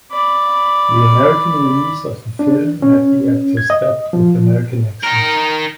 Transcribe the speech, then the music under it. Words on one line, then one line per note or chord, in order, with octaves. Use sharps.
The American release of the film had the actors dubbed with American accents.
D5 B5
D4
C#4
G#6
D#5
F3
D#4 A#4